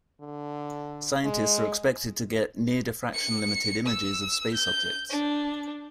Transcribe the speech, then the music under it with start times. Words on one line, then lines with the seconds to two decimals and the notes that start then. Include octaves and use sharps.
Scientists are expected to get near diffraction-limited images of space objects.
0.21 D3
1.24 G#3
3.14 C#7
3.87 E6
4.54 G6
5.10 D4